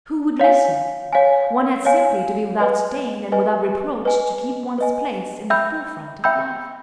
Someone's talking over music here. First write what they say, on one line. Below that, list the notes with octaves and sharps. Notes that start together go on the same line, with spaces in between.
Who would listen? One had simply to be without stain and without reproach to keep one's place in the forefront of life.
C#5 F5 G#5
C#5 F5 G#5
C#5 F5 G#5
B4 D#5 G#5
B4 D#5 G#5
B4 D#5 G#5
B4 D#5 G#5
E5 G5 B5 E6 G6
E5 G5 B5 E6 G6